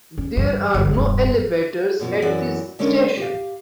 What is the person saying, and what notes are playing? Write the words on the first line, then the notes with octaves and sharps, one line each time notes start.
There are no elevators at this station.
C#4
G2 E3
G1
E1 G2
F#2 B2 F3
F#2 E3 F#4 D5
D3 G#3 C#4 D4 A4 A#4
G4 F5